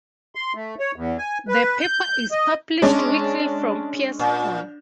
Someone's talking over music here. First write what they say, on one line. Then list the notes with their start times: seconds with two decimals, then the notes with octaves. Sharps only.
The paper is published weekly from Peirce Hall.
0.35 C6
0.55 A3
0.80 C#5
0.96 E2
1.18 G#5
1.48 B4
1.80 G6
2.31 D#5
2.82 G#3 C#4 D4 C#5
4.19 A#2